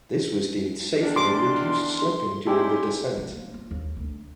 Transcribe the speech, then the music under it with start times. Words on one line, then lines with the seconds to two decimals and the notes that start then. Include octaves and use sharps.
This was deemed safer and reduced slipping during the descent.
1.01 E2 D#3 D4
1.16 C6 D6
2.47 C#4 D#4 E4 G4
3.17 F3
3.37 A#3
3.54 F4
3.71 D#2
3.96 D2